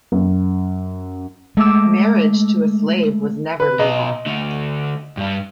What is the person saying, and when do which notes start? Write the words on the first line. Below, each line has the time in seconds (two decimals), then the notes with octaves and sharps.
Marriage to a slave was never legal.
0.12 F#2
1.57 G#3 A3 D6 E6
3.60 B4
3.79 B2 D#5 A#5
4.26 D3 A3
5.17 G2 G3